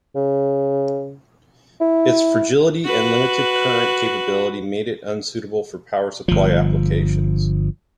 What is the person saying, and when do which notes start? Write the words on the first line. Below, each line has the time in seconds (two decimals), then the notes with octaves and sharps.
Its fragility and limited current capability made it unsuitable for power supply applications.
0.15 C#3
1.81 E4
2.85 F#4 B4
6.28 G1 F3